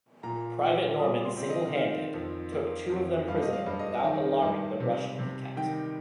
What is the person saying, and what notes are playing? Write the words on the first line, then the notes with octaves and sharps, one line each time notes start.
Private Norman single-handed, took two of them prisoner without alarming the Russian picquet.
A#2 A#5
A#2
G3 D#6
C6
C4
D#5
D#3 F5
F2
A#3
F2
G2 F5
D#5
F5
G2
D#5
D#3
G2
C3
C3
D#3 G5